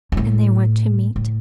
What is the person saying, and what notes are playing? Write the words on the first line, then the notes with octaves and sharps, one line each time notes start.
And they went to meat.
F#2
A2
A2